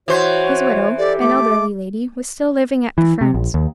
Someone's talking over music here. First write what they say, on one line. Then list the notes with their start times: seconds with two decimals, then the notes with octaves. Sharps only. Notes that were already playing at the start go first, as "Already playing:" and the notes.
His widow, an elderly lady, was still living at the Ferns.
0.08 E3 F#4 C5 C#5
0.98 G4 A4 D5
1.20 A3 D6
2.98 E3
3.21 C3
3.34 A#1
3.54 D#2